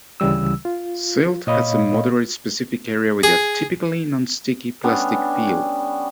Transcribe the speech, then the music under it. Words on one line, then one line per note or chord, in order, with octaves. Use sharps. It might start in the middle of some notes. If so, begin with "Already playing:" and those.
Silt has a moderate specific area with a typically non-sticky, plastic feel.
D2 C#3 E3 G3 E6
F4
A#2 C#5 D#5 F5 B5
G#4
G3 B3 C#4 D4